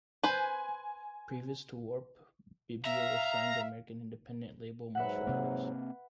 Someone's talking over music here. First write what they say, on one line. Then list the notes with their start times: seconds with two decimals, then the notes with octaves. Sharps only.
Previous to Warp, Bibio was signed to American independent label Mush Records.
0.23 B4 C5 G#5
2.85 E5 F5 A#5
4.95 G#2 F#3 B4 E5 F#5
5.27 C3 A#3